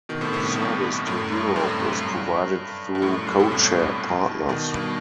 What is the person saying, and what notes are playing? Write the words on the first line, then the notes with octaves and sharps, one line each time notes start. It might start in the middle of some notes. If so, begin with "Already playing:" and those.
Service to Europe was provided through codeshare partners.
B2 D#3
A2 C3
A2 C3
G2 B2
F#2 A2
G2
F#2 A2
A2 C3
G2
G2
G2
F#2 A2
F#2
F#2 A2
A2 C3
G2 B2
B2 D#3
G2 B2